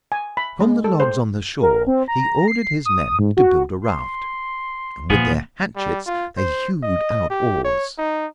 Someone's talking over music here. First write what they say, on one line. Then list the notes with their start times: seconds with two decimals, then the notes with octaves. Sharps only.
From the logs on the shore he ordered his men to build a raft, and with their hatchets they hewed out oars.
0.12 G#5
0.37 B5
0.60 G#3
0.84 A4
1.00 C5
1.62 A#4
1.87 C4
2.08 A#5
2.48 C7
2.86 D#6
3.19 G#2
3.37 F#4
3.84 C6
5.10 A#2 D#3 F3 B3 G#4
5.76 G3
6.06 F4
6.37 C5
6.83 D#5
7.30 G4
7.64 C#5
7.98 D#4